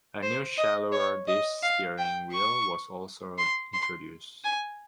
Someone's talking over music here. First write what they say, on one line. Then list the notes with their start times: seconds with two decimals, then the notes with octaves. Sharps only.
A new shallower-dish steering wheel was also introduced.
0.22 C5
0.58 D#5
0.92 C#5
1.28 D#5
1.63 F5
1.98 G5
2.33 C#6
3.38 C6
3.73 C6
4.44 G#5